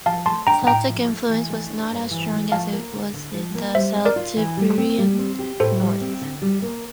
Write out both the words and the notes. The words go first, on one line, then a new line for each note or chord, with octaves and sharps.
Celtic influence was not as strong as it was in the Celtiberian north.
F3 F5 A5
A3 A5 C6
D4 G5 A#5
A2 G5 A#5
F3
A3
E3
A3
D4
G2
E3
A3
F3 F5 A5
A#3
D3
D3
F3
A#3
G3 C5 E5
C4
A#4 D5
F4
E3
G3
C4
G3
C4
G4
A2 A4 C5
G3
C4
D3
G3
A#3